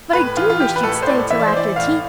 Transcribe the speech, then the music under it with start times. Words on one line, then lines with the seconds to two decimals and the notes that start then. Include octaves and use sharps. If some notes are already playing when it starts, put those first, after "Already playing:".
But I do wish you'd stay till after tea.
0.13 A2 B4
0.37 E3 F4
0.50 F4
0.60 E3 G4
0.76 B4
0.83 A2 A4
1.02 C5
1.07 A2 D5
1.30 E3 E5
1.40 D5
1.48 C5
1.54 E3 D5
1.76 A2 F5